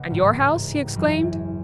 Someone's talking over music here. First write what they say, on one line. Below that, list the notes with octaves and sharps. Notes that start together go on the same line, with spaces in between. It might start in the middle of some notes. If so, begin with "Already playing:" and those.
"And your house?" he exclaimed.
Already playing: C#2 C#3 F#5
A1 G#2 E3
F#1 F#2 E3